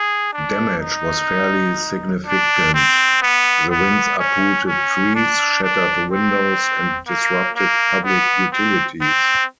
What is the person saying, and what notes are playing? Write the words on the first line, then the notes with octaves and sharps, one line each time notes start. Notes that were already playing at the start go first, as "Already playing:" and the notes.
Damage was fairly significant; the winds uprooted trees, shattered windows, and disrupted public utilities.
Already playing: G#4
D4
D#4
D4
C4
B3
B3
C#4
C#4
D4
D4
C4
A#3
A#3
B3
C4
C4